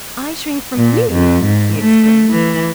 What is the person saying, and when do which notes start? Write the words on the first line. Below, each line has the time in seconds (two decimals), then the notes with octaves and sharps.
"I shrink from YOU!" he exclaimed.
0.77 A#2
1.12 F2
1.45 G#2
1.80 A3
2.30 E3